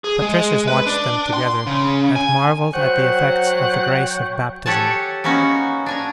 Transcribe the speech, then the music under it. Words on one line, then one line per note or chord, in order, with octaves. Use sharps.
Patricius watched them together, and marvelled at the effects of the grace of Baptism.
G#4
G#3
B4
D4
C6
C#3
G#5
F#3 C5 C#5 F#5 G5
G4 A4 C#5 F#5 G#5 A5
A#3 B3 C#4 D#4 F#4
D4 G#5 A#5